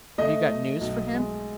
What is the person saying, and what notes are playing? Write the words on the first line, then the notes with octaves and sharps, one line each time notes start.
"Have you got news for him?"
A3 D#5
A3
B1
G#3